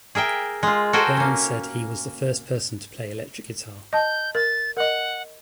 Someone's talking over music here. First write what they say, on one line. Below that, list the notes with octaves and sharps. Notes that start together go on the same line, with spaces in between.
Barnes said that he was the first person to play electric guitar.
G#4 A#4 E5 G5
G#3 F4
F#4 A4 A#4 C5 G5 G#5
A#3 C#4
D#5 A5 G6
A#4 A6
A#4 D#5 F#5